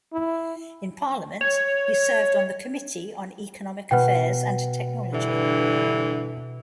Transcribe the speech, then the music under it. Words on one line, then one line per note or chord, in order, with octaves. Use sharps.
In parliament, he served on the Committee on Economic Affairs and Technology.
E4
C#5
B2 B4 F#5 G5
G2 D3 E3